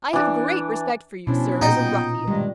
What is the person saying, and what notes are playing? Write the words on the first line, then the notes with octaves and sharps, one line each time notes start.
I have great respect for you, sir, as a ruffian.
E3 D4
B2 F3 C#4 D4 E4
A#2 B3 D#4 G5
G2 D#3 G3 G#3